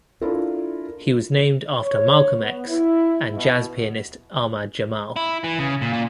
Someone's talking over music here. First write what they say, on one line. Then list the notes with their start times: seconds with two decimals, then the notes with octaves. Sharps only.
He was named after Malcolm X and jazz pianist Ahmad Jamal.
0.21 D4 E4 F4 A4 A#4
1.80 C#5
2.38 B3
2.67 E4
3.33 B2
5.16 E4
5.44 E3
5.58 C#3
5.81 A#2
5.93 A#2